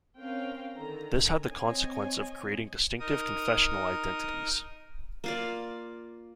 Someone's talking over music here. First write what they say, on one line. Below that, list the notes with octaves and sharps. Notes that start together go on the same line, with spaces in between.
This had the consequence of creating distinctive confessional identities.
C4 C#4 A#4 C5 F5 G5
D3 D#3 A4 A#5
C4 C#5 D#5 G#5
D#4 A#4 D#6
A#3 F4 D5